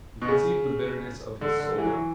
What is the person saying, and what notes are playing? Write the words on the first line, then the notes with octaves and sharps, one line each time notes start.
You conceive the bitterness of his soul.
B2
C#3
D3
D3
E3
F#3
E3